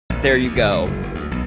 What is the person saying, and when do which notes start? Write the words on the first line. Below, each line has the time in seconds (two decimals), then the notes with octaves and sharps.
There you go.
0.10 A#1
0.30 B2
0.44 D#2
0.55 G1
0.71 C#2
0.85 F#1
1.03 F#1
1.15 D2
1.31 B1